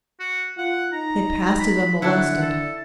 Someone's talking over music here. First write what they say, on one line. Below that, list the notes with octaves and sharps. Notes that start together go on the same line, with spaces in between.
They passed it unmolested.
F#4
F4 F#5
D#4 A#5
B5
D3 D4 E4 F#5
A4